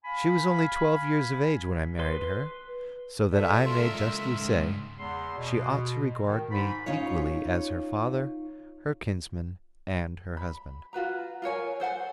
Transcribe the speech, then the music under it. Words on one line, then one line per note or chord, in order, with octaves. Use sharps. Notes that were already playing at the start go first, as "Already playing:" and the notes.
She was only twelve years of age when I married her, so that I may justly say, she ought to regard me equally as her father, her kinsman, and her husband.
F5 G#5 B5
B4 C6
F4 A4 D5 E5 A5
C#2 A#4 C6
G#2
E2 C6
B2
D#3
G#2 B5
C#4 D#4 F4 C#5
B5
F4 F#4 B4 A#5
F4 A#4 C#5 G#5
A4 C5 F#5 G#5